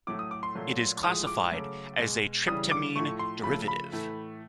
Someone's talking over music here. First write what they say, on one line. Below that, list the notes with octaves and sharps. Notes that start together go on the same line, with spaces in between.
It is classified as a tryptamine derivative.
A2 F#3 A3 D6
D#6
D6
C6
A#2 F#3 A3
A2 F3 G#3 D#6
D6
C#3 F#3 A3
B2 G#3
C#3 E3 G3 D#6
D6
A2 F3 A3 C#6
C6
C#3 F3 A3 B5
B5
A2 E3 A3